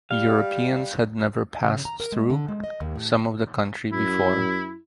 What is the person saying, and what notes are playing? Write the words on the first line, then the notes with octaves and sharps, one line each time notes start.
Europeans had never passed through some of the country before.
G3 F5
C#3
A#5
A#4
G#3
D3
G#3
D#5
D#2
A2
F#2 E4